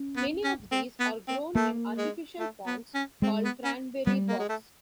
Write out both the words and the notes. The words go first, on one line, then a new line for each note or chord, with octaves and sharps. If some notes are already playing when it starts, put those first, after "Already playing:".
Many of these are grown in artificial ponds called cranberry bogs.
Already playing: C#4
B3
C#4
C4
B3
C4
A3 A#3
G#3
A3
B3
C#4
G#3 C4
B3
C#4
G3 B3
A#3
G#3
A3